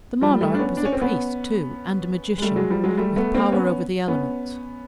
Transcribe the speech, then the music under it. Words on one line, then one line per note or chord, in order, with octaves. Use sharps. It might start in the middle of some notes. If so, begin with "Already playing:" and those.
The monarch was a priest too, and a magician, with power over the elements.
F3 G3
G3 A3
D4
B3 C#4
D4
C#4
C4
B3 C#4
G#3
G3 A3
F#3 G#3
F3 G3
F#3 G#3
G3 A3
A3 B3
A#3 C4
B3 C#4
B3 C#4